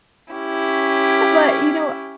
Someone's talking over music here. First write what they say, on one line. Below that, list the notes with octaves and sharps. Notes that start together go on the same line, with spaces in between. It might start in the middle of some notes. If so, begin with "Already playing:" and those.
but, you know
C#4 E4 G4